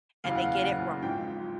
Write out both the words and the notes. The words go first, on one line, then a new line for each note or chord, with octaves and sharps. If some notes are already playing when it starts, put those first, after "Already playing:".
and they get it wrong,
F#1 E2 C#3 F5
F#5
F5
F#1 E2 C#3 F#5
G#1 G#2 F3 G5
F3